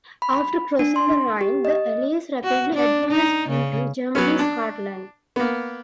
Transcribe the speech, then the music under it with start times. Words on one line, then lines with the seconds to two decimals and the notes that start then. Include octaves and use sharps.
After crossing the Rhine, the Allies rapidly advanced into Germany's heartland.
0.22 B5
0.79 D4
0.96 C6
1.41 G4
1.65 D#5
2.44 F#4
2.75 D4
3.11 D#4
3.49 C#3
4.15 F#3 B3 C#4
4.39 D4
5.36 A#3 B3